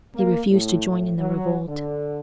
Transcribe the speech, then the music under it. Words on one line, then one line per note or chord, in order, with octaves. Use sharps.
They refused to join in the revolt.
A#3
A2
A2
F#3
D3